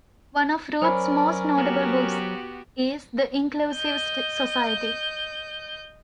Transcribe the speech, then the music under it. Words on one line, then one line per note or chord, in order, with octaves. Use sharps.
One of Ruth's most notable books is The Inclusive Society?
F#3 C#4 A#4 C5 D5 G#5 B5
B3 F#4 G4
D#5 G6